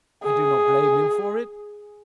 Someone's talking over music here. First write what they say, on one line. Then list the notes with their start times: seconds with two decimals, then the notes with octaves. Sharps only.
'I do not blame him for it.
0.24 G#4